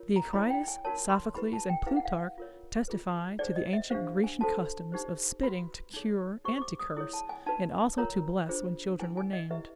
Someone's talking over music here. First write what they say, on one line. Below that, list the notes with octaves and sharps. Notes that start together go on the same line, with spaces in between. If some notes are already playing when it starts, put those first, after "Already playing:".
Theocritus, Sophocles, and Plutarch testify to the ancient Grecian customs of spitting to cure and to curse, and also to bless when children were named.
Already playing: F4 A#4 C#5
A#5
E4 G#4 C#5 B5
G5
G#5
D#4 F#4 A#4 C#5 A5
C6
E4 G4 B4 B5
A5
G5
E4 G#4 B4 F5
F#5
F5
F4 A#4 C#5
F4 G#4 B4
D#4 G#4 C5 D5
D#5
E5
D4 G4 C5 F5
G#5
F#4 A4 C5 A5
D#4 G4 C5
F#4 B4 B5
D#4 G#4 C#5
D#4 G4 C5 C#6
C#6
D6
D#6
E4 G#4 C#5 D#6
A5
G#5
D#4 F#4 B4 A5
F4 A#4 C#5 A#5
D4 F4 G#4 C5
E4 G#4 B4 G#5
G#5
D#5
E4 G4 B4 E5